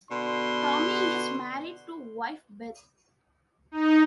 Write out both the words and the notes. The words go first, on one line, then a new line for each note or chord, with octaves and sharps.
Tommy is married to wife Beth.
B2 D3 C6
D#4